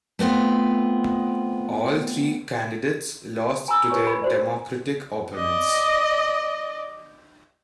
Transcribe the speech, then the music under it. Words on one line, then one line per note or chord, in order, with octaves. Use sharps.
All three candidates lost to their Democratic opponents.
A3 B3 C4 F4
G#5 A#5 B5 E6
G4 B4 C#5 G#5 C#6
B5
F#4 C5 D5
D5 D#5